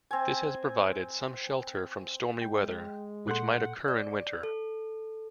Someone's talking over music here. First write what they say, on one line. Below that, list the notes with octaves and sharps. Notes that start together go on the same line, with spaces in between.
This has provided some shelter from stormy weather, which might occur in winter.
C4 G#5
G#3 G5
A#2 A4 F#5 C6 F#6 G6
D5
A4